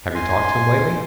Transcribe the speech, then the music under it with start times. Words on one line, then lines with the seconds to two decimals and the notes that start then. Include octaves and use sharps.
"Have you talked to him lately?"
0.15 G#5 C6